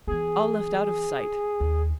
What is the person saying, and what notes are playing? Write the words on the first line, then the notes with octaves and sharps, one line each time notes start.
All left out of sight!
E3 B3 G#4
D#2